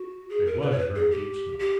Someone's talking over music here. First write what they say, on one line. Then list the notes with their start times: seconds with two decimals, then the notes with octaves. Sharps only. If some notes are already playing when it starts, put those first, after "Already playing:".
It was a very deep snow.
Already playing: F#4
0.30 G#4
0.46 A#4
0.62 B4
0.71 C#5
0.78 B4
0.95 G#4
1.11 G4
1.59 G4